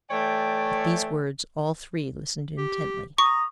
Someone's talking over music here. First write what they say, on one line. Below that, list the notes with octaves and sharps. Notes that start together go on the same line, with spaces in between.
At these words all three listened intently.
E3 A3 C#5 D5 G5
G4
A#5 C#6 D#6